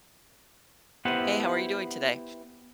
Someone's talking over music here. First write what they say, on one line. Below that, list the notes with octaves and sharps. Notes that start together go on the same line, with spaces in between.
Hey, how are you doing today?
B3 E4 G4 C5 F#5